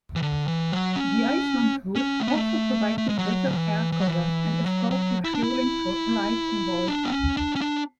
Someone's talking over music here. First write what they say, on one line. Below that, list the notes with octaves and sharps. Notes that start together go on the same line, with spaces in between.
The Iceland route also provided better air cover and escort refuelling for allied convoys.
E3
D3
E3
F#3
C#4
C#4
A3
B3
A3
A3
G#3
F#3
D3
E3
E3
F#3
E3
F#3
F#3
E4
D4
E4
D4
B3
C#4
D4
C#4
D4